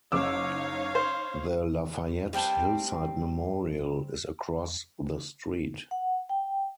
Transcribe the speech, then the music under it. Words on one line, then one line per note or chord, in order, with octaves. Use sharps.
The Lafayette Hillside Memorial is across the street.
F#1 D#4 C#5 F5 D6 E6
C5
G3 C4 G5 A5
F#5
G5